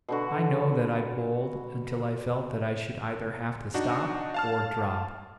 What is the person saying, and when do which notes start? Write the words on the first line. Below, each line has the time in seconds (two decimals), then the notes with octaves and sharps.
I know that I bowled until I felt that I should either have to stop or drop.
0.08 B2 D3 F#4
3.74 D4 D#4 F#4
4.34 F5 A5 F6